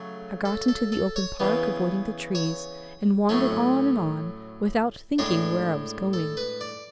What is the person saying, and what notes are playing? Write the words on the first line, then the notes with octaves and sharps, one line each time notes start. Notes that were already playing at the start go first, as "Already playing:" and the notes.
I got into the open park, avoiding the trees, and wandered on and on, without thinking where I was going.
Already playing: C#3 F#3 A3
A4
A4
A4
C#5
C#3 E3 B3
C#5
A2 F#3 A3 C#4
A2 G#3 D4 C#5
A4
B4
D5